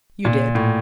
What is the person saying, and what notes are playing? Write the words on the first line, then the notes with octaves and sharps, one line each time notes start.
"You did."
A#2
A2